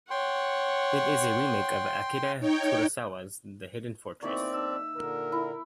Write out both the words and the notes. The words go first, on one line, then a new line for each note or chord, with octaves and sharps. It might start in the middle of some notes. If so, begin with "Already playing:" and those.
It is a remake of Akira Kurosawa's "The Hidden Fortress".
C#5 F#5 G5 C6
D#4 C#5 G5
B2 E3 A#3 C4 D#4 D5 E5 C#6
B1 D4 E6
A#2 D3 A#4
E4